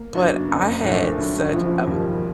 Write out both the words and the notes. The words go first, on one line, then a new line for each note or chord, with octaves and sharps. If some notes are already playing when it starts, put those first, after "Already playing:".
but I had such am
Already playing: A#3
F#2 C#3 F#3 B3 D4
F#1 F2 C#3
C2 A#2 F3 A3 D4
D2 D3 F#3 A3 C#4
F#1 F#2 C#3 F3
E1 D#2 D#3 G3 A#3